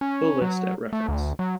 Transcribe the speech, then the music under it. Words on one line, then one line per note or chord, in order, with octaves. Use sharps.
Full list at reference.
C#4
F#3
A3
D2
F#3